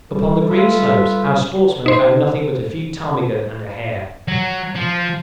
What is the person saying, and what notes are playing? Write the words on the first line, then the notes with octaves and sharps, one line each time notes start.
Upon the green slopes our sportsmen found nothing but a few ptarmigan and a hare.
G3 A4
F4 B4 E5
D#4 C5
F#3
F3